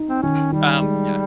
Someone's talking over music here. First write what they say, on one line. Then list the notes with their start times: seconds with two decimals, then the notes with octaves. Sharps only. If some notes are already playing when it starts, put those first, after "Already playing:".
Um, yeah.
Already playing: D#4
0.08 C4
0.22 D#3 C#4
0.52 D#3 G3
0.82 G#3